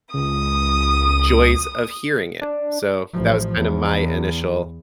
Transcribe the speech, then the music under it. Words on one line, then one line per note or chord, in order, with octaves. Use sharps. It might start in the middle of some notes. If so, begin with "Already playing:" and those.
joys of hearing it. So that was kinda my initial
C#2 D#6
D4
A1 F3
E2